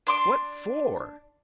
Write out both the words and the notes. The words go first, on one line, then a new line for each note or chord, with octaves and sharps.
"What FOR?"
D4 C6 D6